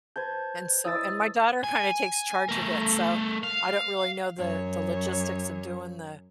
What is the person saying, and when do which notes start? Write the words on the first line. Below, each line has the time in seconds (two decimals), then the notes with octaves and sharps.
And so and my daughter kinda takes charge of it, so I don't really know the the logistics of doing the
0.16 B4 C5 A5 G6 G#6
0.85 E4 C#5 D#5 D#6 E6 A6
1.64 G#5
2.49 A3 A#4
3.43 F5
4.39 F#2 C#5